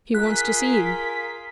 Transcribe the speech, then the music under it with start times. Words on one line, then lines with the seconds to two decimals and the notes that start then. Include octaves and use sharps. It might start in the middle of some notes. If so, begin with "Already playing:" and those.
She wants to see you.
0.15 F4 G#4 A#4 F#6 B6